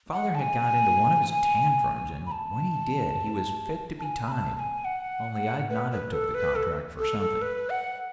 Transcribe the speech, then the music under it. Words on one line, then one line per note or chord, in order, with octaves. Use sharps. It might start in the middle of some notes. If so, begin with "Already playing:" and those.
Father had got into one of his tantrums, and when he did he was fit to be tied; only I'd not have took the contract for something.
F#5
A5
G#5
B5
A5
A5
G#5
B5
A5
A5
G#5
F#5
B4
B4
A4
B4
A4
A4
A4
B4
F#5